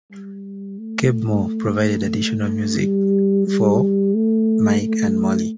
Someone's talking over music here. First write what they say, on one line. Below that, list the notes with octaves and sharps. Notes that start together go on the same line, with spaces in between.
Keb' Mo' provided additional music for "Mike and Molly".
G3
A3
G3
G3
A3
A3